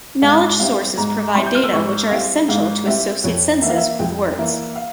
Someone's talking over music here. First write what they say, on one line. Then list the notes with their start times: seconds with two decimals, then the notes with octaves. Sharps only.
Knowledge sources provide data which are essential to associate senses with words.
0.22 G#2 F5
0.59 G3 C4 E4 F5
0.97 G#2 A#5
1.35 G3 C4 E4 C6
1.46 G6
1.55 F6
1.63 E6
1.73 G#2 C#6
2.11 G3 C4 E4 F5
2.48 G#2 F5
2.86 G3 C4 E4 E5
3.24 F2 C#5
3.62 E3 A#3 E4 E5
3.69 F5
3.77 E5
3.99 F2 G5
4.37 E3 A#3 E4
4.75 F5